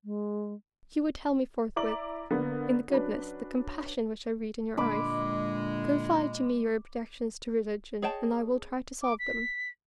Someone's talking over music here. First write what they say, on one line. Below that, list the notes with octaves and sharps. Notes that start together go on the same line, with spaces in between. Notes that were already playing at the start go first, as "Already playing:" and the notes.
You would tell me forthwith, in the goodness, the compassion, which I read in your eyes; Confide to me your objections to religion, and I will try to solve them.
G#3
E4 D5 A#5 D6 F#7
D3 A#3 B3
F#3 C#4 D4 B4
A#2 D3 G#3 B5 D6 E6
G#4 C#5 D#5 G5 A5
D6
B6